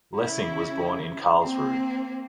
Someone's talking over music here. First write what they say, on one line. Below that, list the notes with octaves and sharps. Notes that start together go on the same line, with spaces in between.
Lessing was born in Karlsruhe.
C#3 E4
A#3 C4